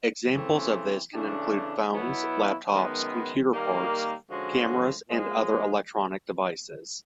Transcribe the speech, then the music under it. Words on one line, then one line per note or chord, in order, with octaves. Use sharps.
Examples of this can include phones, laptops, computer parts, cameras and other electronic devices.
C#3 E3 A3 C4
C#3 E3 A3 D4
B2 F#3 B3 E4
F#2 D#3 G#3 B3
D#3 G3 A#3
D3 F3 G#3 C#4 F#4
A#2 F3 G#3